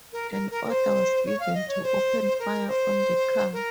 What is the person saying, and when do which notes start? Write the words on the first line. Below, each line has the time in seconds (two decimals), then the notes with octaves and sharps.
An order was given to open fire on the car.
0.13 A#4
0.31 A#4
0.51 A#4
0.65 A#4
0.69 C5
1.26 C#5
1.40 F5
1.54 D#5
1.68 C#5
1.83 C5
2.39 A#4
2.68 C5
3.53 A#4